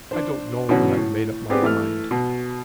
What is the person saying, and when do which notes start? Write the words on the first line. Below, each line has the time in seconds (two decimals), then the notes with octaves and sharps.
I don't know that I've made up my mind.
0.11 D4 C5
0.69 B2 D3 E3 F#3 C#4 F#4
0.97 A2
1.50 B3 C4 G4 G#4 B4 D5
1.62 E3 A3 F6
2.11 B2